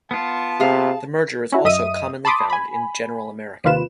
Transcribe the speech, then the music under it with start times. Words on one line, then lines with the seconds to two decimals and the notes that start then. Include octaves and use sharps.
The merger is also commonly found in General American.
0.11 B3 F4 A5
0.60 C3 G#4 F5
1.52 C#4 E4 F#4
1.65 F#2 D#5 E5 D#6 D#7
2.25 A5 B5 C6 D6 D#6
2.50 G#5 B5
3.64 D#2 C3 D#3 F4 B4 E7